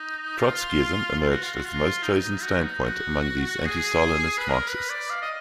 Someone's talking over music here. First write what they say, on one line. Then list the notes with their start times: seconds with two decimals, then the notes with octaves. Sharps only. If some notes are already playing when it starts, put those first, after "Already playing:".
Trotskyism emerged as the most chosen standpoint among these anti-Stalinist Marxists.
Already playing: D#4
0.38 F4
1.20 F4
1.31 F#4
1.43 F4
1.54 F#4
1.65 F4
2.03 D#4
2.23 D#4
2.43 F#4
2.63 D#4
2.84 F#4
3.66 G#4
4.38 B4
4.49 A#4
4.68 B4
4.90 D5
5.10 F5
5.22 D#5